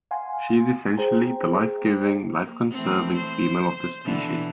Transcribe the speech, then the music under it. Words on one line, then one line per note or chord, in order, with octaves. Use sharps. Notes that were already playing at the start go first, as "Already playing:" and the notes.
She is essentially the life-giving, life-conserving female of the species.
F5 F#5 G#5 C6
G#4 C5 G5 A#5
A#3
E3 A3 C4
C5
B2 D3 E3